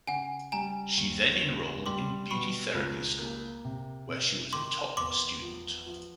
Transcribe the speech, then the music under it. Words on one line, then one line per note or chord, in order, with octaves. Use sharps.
She then enrolled in beauty therapy school, where she was a top student.
C#3 F#5 G#5
G3 G#5 A#5
D#2
C#3
G3 C6 D6
B2 B5 C#6
C#2
A#3
C3
C3
D#3 C6 D6
E2 C6 D6
F3
F3